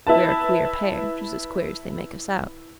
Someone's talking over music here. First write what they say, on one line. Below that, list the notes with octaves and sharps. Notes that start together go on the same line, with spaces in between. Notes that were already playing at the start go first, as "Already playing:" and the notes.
We are a queer pair--just as queer as they make us out.
E4 B4 A5